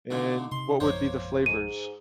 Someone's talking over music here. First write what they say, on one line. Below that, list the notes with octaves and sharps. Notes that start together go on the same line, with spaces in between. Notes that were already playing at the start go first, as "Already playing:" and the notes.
And what would be the flavors
A#2 D3 A3 D#4
C3 C6
A#1 F#2 F3 A#3 C5 C#5
G#2 D#7